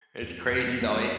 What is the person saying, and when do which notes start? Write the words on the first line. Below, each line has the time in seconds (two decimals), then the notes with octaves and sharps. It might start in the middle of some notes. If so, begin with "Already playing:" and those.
It's crazy though, it
0.22 F2
0.52 F2
0.67 B3
0.81 F2 A#3
0.96 G#3